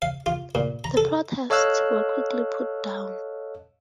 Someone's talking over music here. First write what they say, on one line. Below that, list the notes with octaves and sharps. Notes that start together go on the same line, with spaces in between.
The protests were quickly put down.
F5
F4
A#2
A#5
A4
A4 C#5 D#5 F5 E6 F#6